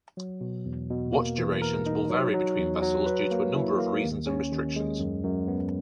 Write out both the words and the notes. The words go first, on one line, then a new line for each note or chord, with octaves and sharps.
Watch durations will vary between vessels due to a number of reasons and restrictions.
F#3
B2
E2
B2
A#3
E3
A#4
D#4
F#3
F#3
E2
F#3
B4
A#3
E4
A#3
D#2
C#4
D#2
G#3
F#2
F#2
B3